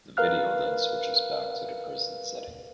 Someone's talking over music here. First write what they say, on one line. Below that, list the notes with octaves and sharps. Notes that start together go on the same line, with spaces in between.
The video then switches back to the prison setting.
A#4 B4 F5 F6 F#6